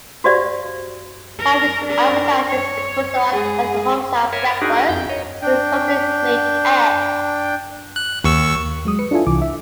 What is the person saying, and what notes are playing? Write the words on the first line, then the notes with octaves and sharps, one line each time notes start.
Harvey's advertises its product as a homestyle breakfast with custom-made eggs.
F#4 G4 C5 D5 D#5 F5
A#4
D4 A#4
C#5
G#3 G#4
A#4 C#5 E5 G#5
A#4
D4 D#4 F#4 G#4 A#4
F2 G6
C#5 D#5
D4 G5
F#6
D#2 C#6 E6
F#3 G#3 D#6
B4 C#7
D4 E4 F4 A4 E5 G#5
C2 E3 D6
E5